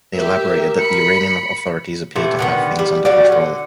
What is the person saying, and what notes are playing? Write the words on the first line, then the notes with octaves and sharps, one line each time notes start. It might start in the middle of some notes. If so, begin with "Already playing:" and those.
They elaborated that the Iranian authorities "appeared to have things under control".
G4 A#4 E5
B5 C#7
C3 E3 A3
D3 D#3 B3
G3
F#3 G3 F#4 D5
D3